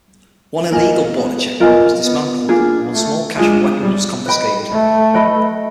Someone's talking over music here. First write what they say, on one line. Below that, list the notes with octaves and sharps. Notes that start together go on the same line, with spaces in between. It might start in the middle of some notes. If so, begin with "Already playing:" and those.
One illegal border checkpoint was dismantled and one small cache of weapons was confiscated.
A#3 F4 A#4 D#5 G#5
B3
B3 F4 A#4 D#5 G#5
B3
A#3 D4 F4 G#4
A3
G#3 D4 F4 G#4
G3
B4 D#5 G5 B5
A3
B4 D#5 G5 B5